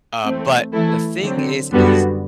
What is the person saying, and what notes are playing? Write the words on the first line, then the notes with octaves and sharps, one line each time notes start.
uh, but the thing is is
E3 A3 C4
E3 A3 E4 A4
D3 F#3 C4
F#2 D3 G3 B3 F#4